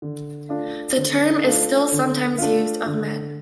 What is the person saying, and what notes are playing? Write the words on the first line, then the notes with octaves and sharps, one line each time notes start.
The term is still sometimes used of men.
D3
A3 D4 F4
D3
A3 D4 F4
D3
A3 D4 F4
D3